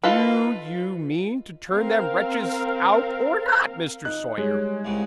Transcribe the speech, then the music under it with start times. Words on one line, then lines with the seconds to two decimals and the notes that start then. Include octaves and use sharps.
'DO you mean to turn them wretches out, or not, Mr. Sawyer?'
0.03 D#4 F4 A4 B4
1.69 C4 A#4 F5
4.05 D#4 F#6
4.38 G3 G#3 C#5
4.85 C2 G#2 C#3